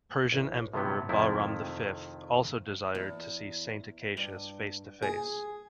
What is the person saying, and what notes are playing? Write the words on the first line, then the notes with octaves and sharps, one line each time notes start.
Persian Emperor Bahram V also desired to see Saint Acacius face-to-face.
A1
A2 C3 F#3 B3
F2 C3 D#3 F3 A3 E4
E2
G2
G#4